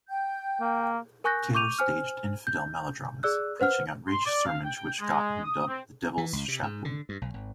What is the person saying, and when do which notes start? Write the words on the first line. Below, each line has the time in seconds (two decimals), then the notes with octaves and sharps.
Taylor staged infidel melodramas, preaching outrageous sermons which got him dubbed "The Devil's Chaplain".
0.08 G5 G6
0.61 A#3
1.24 A#4 G#5 C#6 F#6 G6 A#6
1.55 C#6 D6 G6 D#7 F7
1.79 C5 G#5 F6
2.47 G6
3.23 G#4 D5 E6 F#6
3.60 B4 C5 F#5 F6
4.08 C6
4.25 D5
4.46 F5
4.64 G5
5.00 G#3
5.44 D#6
5.68 C4
6.18 E3
6.33 C#2
6.48 C3
6.63 G#2
6.85 D3
7.09 G2
7.22 B1
7.34 G#1